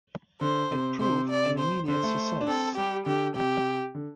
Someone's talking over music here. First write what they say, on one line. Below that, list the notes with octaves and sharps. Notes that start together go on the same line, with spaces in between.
It proved an immediate success.
D3 C5
C3
C3 C5
D5
C5
D3 C5
A3
D4
C4 A4
G3 G4
D3 G4
C3 G4
D3